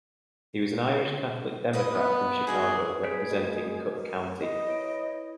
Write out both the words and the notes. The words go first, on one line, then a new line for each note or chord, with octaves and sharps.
He was an Irish Catholic Democrat from Chicago, representing Cook County.
B4 D5 D#5
B3
D#4 F#4 G#4 D5
G#4 B4 B6 D7
A3 F#4 A#4 D#5
E4 D#5
B4 C#5 D7